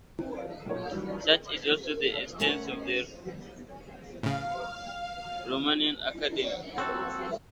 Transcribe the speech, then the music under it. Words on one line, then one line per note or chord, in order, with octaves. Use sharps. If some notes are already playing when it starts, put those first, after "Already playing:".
Such is also the stance of the Romanian Academy.
C4
F5
B1 A#2 A4 C#5
D#3 E3 F#3 G3
A3 C#4 A#4 F#5
A2 C#3 F5
C4 F#4 A4